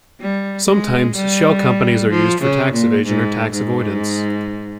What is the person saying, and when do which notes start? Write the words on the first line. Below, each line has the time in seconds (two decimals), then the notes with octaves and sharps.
Sometimes, shell companies are used for tax evasion or tax avoidance.
0.20 G3
0.68 G#3
1.15 G3
2.09 F3
2.41 C#3
2.73 A#2
3.06 G#2
3.52 G#2